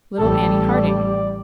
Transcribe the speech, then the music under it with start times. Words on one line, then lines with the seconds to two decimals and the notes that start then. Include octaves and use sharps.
"Little Annie Harding."
0.19 A1 G3 A4
0.74 D5